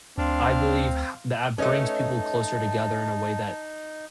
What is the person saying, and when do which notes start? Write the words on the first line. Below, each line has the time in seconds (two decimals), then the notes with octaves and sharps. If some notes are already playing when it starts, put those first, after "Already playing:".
I believe how that brings people closer together in a way that
0.18 D2 C4 D4 F5 C6
1.58 A3 C#4 D#4 B4 C#5 D#5 A5